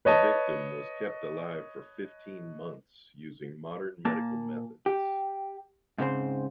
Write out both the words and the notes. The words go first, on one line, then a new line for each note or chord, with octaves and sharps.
The victim was kept alive for fifteen months using modern medical methods.
B4 C#5 D#5 A5
A#2 A#3 A5
G4
G#2 C#3 C4 C5